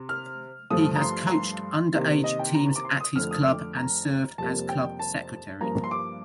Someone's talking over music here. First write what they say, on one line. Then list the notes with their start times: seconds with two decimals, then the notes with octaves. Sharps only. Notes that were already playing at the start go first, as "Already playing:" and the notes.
He has coached underage teams at his club and served as club secretary.
Already playing: C3
0.09 F6
0.70 G2 F3 A3 D#6
0.96 A#5
1.01 C6
1.27 A#5
1.32 C6
1.93 C3 D#3 A#3
2.24 D#5
2.39 G5
2.55 A#5
2.76 D6
2.85 C6
3.01 D#6
3.16 F2 D3 A3 F6
3.31 D#6
3.46 D6
3.77 A#5
4.38 F2 C3 G3 A#3 A5
4.69 G5
4.99 A5
5.61 G2 F3 A#3 A#5
5.84 C6
5.91 D6